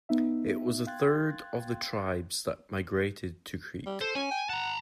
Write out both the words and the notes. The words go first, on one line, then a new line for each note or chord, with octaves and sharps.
It was the third of the tribes that migrated to Crete.
B3 D#4 E5
F5 G5 C6 F#6 G#6 A6
G3
A4 C5
C#4 G#5
G5
F#5 A5 A#5